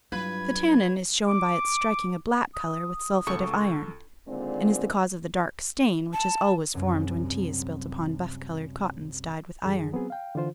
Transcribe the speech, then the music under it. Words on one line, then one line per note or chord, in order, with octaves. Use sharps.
The tannin is shown by its striking a black colour with sulphate of iron, and is the cause of the dark stain which is always formed when tea is spilt upon buff-coloured cottons dyed with iron.
G2 F#3 E4 F4 B4 G#6
D6
D#6
C#2 A4 C#6
A#2 D3 D#3 G#3 C4
A5
C2 F#2
F#2 E3 G#4
F#3 B3 C4 G#4
F5 G5
D3 E3 F4 C5